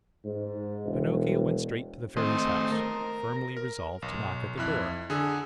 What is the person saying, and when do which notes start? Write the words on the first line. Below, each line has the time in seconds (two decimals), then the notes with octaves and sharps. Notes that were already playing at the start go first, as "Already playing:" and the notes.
Pinocchio went straight to the Fairy's house, firmly resolved to knock at the door.
0.25 G#2
0.86 E1
2.17 D#3 A3 C4 C5 D#5
2.72 A#4
3.57 A#4
4.02 B1
4.58 F2 E4 F#6
5.10 D3 G#4 D#6 E6